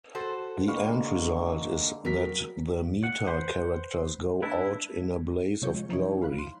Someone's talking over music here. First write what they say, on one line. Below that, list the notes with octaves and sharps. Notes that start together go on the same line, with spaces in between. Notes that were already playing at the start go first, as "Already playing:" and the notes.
The end result is that the meta-characters go out in a blaze of glory.
F#4 A4 C5
D3 G3 G#3 A#3 F5 C#6
F#3 A#4 B6
F#5
B4 C5
D4 E4 B4
C3 F3 F#3 C#5 G6 C#7
G#3 F4
F3 D#4 E4 C#5
F5 B5 F#6
C6